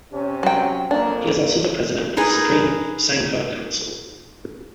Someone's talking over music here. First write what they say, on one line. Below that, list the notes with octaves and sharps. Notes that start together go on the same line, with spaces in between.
He is also the President of the Supreme Sangha Council.
C3 C#4
F#3 G5
F2 A#3 D4
D#4 G#4 A#4 B4